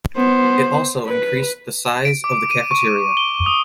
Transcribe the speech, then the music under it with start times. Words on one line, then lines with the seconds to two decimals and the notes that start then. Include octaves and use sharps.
It also increased the size of the cafeteria.
0.17 B3 C5
1.06 B4
2.05 D7
2.24 D6
2.51 D#7
2.71 C#6
3.17 G7
3.46 D#6